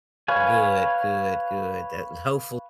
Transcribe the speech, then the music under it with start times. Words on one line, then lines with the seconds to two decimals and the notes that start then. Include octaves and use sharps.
Good, good, good, that hopeful
0.28 B4 C#5 F5 G#5